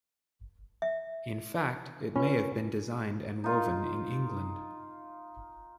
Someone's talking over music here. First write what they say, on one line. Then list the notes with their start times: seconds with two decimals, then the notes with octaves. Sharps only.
In fact, it may have been designed and woven in England.
0.82 E5
2.16 C#4 F4 B4
3.44 D#4 F4